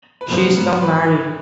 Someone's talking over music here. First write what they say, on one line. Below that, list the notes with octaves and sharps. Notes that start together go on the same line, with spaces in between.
She is now married.
B4
F3 C5
G#2 B4
B4